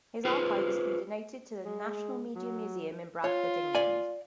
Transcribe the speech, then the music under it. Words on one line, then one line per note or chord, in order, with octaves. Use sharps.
His archive is to be donated to the National Media Museum in Bradford, England.
F4 G#4 B4 C5
G#3
F#3
F4 C#5
D5 F5 G#5